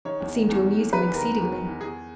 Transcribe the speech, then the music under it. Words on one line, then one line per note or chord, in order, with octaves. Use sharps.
It seemed to amuse him exceedingly.
D#3 C#5
E2
D#3
E2
D#3
E2
D#3 B4
E2
A#4
D#3
E2
D#3
E2
E2 G#4